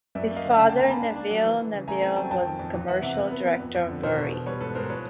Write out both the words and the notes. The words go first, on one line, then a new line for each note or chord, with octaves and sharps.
His father, Neville Neville, was commercial director of Bury.
F#2 D5 E5
A#3
D#5 F5
D3
C#3 F5 G5
A#3 G5 A5
G#5 A#5
A#3 A5 B5
D4
D4
F#3
E3
E3
C#3
A3 G#5 A#5
C4 G#5 A#5
F#3 G5 A5
F2 G5 A5
D#3
F2
E2
E3 E5 F#5
C3 E5 F#5
B3
B3
B3
F2
F2
D3
B2 A#4 C5
E2
B2
G3 B4 C#5
G#2 A4 B4
G#2 A#4 C5
F3 B4 C#5